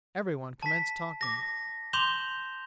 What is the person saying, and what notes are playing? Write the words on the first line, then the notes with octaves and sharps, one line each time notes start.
Everyone commenced talking.
A5 B6
D6 A#6
C6 D6 G6 E7 F7 G7